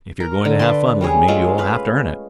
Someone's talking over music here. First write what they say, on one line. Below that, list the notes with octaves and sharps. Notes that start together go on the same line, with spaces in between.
If you're going to have fun with me you'll have to earn it.
A#4
D3
B4 D5 C6
G3 C#4 G#4
G#3 A3 C#4 F4
B4 F5